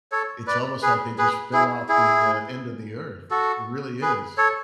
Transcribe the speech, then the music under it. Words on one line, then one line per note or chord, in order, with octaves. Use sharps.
It's almost like they just fell off the, uh, end of the Earth. It really is.
A4 C#5
B4 D5
G#4 B4
G#4 B4
E4 G#4
E4 G#4
F#4 A4
G#4 B4
A4 C#5